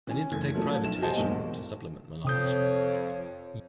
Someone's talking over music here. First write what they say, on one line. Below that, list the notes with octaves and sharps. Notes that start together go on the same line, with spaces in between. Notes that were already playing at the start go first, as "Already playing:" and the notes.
I need to take private tuition to supplement my knowledge.
E3 C#4 G#5
F#1 A3 G#6
F3 F#3 A3 C#4
B1 E7
F#4 G4 C5 D#5 G#5 A5
B1 E2 G2 B2 G#3 A#3
F2 C3 C#5 D#6 G6